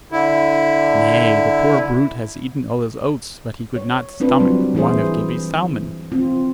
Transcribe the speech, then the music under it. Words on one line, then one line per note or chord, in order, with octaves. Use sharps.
Nay, the poor brute has eaten all his oats, but he could not stomach--one of Gibbey's salmon.
D3 E4
C#5
C4 D4 F4 B4
F#3 G3 C4
E3 E4 G#4 C5
C4 F4